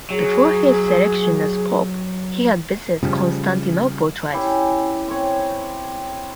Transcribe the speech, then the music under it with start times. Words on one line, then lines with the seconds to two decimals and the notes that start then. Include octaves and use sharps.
Before his selection as pope, he had visited Constantinople twice.
0.10 F#3 G#4
3.02 C#3 F3 G3
4.33 C#4 E4 G4
5.08 C4 C#5